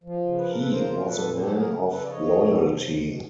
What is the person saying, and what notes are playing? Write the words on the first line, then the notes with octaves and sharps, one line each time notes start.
He was a man of loyalty.
F3
C#3
B4
C#3 A#4
A4 B4
F3 A#4 C5
A#2 A#4
A4 B4
A#2
G#4
F#3 G4 A4
G#4 A#4
C#3
C#3
A4 B4
D5
F3 C#5 D#5
C3
C3
F#3
B2